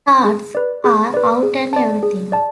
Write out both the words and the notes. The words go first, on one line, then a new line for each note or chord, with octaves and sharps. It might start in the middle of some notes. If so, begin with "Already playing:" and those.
Stars are out and everything.
G#4
B4 D5
G#4
B4 D5
G#4
D5 A5
G#4
D5 A5